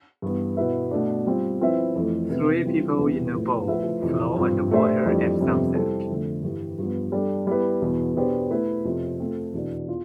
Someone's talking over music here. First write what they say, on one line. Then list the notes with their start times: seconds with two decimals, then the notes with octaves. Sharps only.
Three people in a boat float on the water at sunset.
0.22 G2 E3 B3
0.57 B2 B3 E4 B4 E5
0.91 B2 A3 D4
1.27 G3 C4 F4
1.61 F3 C4 E4 B4 E5
1.96 F2 E3 A3
2.29 C3 E3 B3 E4 B4
2.64 E3 G3 C4 F4
2.98 E2 C3 G3 B3
3.33 A2 F3 B3
3.67 F3 A3 E4 B4 E5
4.02 F2 C3 E3
4.36 G2 F3 C4 F4
4.71 A3 D4 G4 C5 E5
5.06 F2 E3 G3 D4 G4
5.40 F2 C3 G3 B3 D4
5.75 G3 C4 E4 A4 C5
6.10 F2 D3 A3
6.43 G2 E3 G3
6.79 G2 F3 B3
7.12 G3 D4 A4
7.47 G3 B3 E4 B4
7.82 E2 B2 B3
8.16 B2 B3 D4 G4 C5
8.51 A3 E4 B4
8.85 F2 C3 F3
9.19 A3 C4 F4 A4
9.54 E2 B2 B3 D4
9.89 F4